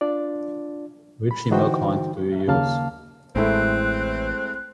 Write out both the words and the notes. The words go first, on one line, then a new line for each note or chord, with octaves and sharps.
Which email client do you use?
D4 F4 D5
B5
D3 E3 D#4 F#4 C5 G5
D#2 C#3 A#3 F5 A5 F6
A1 A2 G#3 A3 C4 E4 F#6